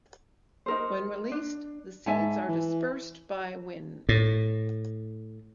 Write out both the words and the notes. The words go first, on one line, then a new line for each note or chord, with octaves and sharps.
When released the seeds are dispersed by wind.
D#4 A#4 C5
D4
G#2 E5 G#5 A5
E3
A2